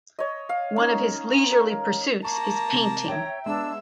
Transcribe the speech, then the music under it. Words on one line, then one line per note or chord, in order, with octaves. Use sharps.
One of his leisurely pursuits is painting.
C#5 D#5
F5
C#4 D#4
A#4
A#3 A5 A#5 C#6
C3
C#5 E5 G5
G#3 B3 D4 E5 E6